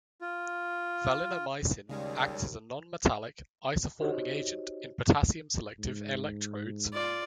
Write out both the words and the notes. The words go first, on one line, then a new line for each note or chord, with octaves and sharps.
Valinomycin acts as a nonmetallic isoforming agent in potassium selective electrodes.
F4
D#2 C#3 G3 G#3 C#4 D5
D#4 F#4 G4 C5 C#5 D#5
G#2
F4 D5